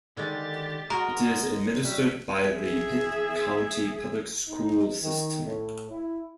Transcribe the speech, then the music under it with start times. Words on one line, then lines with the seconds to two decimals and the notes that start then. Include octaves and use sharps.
It is administered by the Pitt County Public School system.
0.17 D3 D#3 G#3 G4 A6
0.90 G#3 F#4 A#4 D#5
1.84 F#3 G3 E5
2.46 G#4 E5
4.49 D#4
5.02 D#3
5.43 A2
5.91 E4